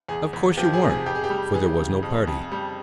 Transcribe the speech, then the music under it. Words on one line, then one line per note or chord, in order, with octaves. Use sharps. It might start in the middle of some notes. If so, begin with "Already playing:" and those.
Of course you weren't, for there was no party.
E2 G#4
E2
F3 G4
G#4
C3
G#4
F2 G4
G#4
G4
G3
E3 G#4
C#3
F2
F2
G3